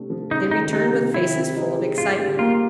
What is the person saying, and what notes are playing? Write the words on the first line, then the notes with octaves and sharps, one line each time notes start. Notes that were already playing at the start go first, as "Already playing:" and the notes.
They returned with faces full of excitement.
Already playing: C3 A3 D4
F3
C#2 D#4
D#3 D#4
G3 D#4
C3
D#3 E4
C4
D#4
G#3
G#2 F4
G3
A#3 F4